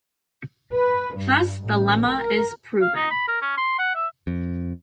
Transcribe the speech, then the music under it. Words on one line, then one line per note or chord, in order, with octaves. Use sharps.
Thus the lemma is proven.
B4
G2
A1
A#4
F5
D#4
B5
A#4
C#4
C6
F#5
E5
F2